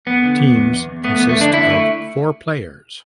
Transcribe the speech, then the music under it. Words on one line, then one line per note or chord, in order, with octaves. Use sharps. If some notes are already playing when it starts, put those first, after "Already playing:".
Teams consist of four players.
E2 B3
D3
E2
E2
E2
E2
A3 B3
B3
E2
A3
D3 D4
D3 E4
A3